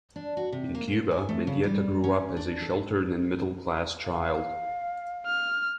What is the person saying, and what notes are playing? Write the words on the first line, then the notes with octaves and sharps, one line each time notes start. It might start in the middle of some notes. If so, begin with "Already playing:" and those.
In Cuba, Mendieta grew up as a sheltered and a middle class child.
D4
F#4
C3
A#3
A#2
G#5
A3
C#3
G3
C#4
D4
A4
F5
F6